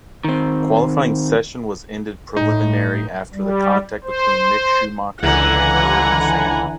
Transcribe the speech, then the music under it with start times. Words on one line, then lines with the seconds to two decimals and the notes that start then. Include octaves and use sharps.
Qualifying session was ended preliminary after the contact between Mick Schumacher and Roy Nissany.
0.24 D#3 C4
2.37 A2 D#4
3.34 G3
4.04 C5
5.23 C#2 D3 E3 F#5 G#5 A#5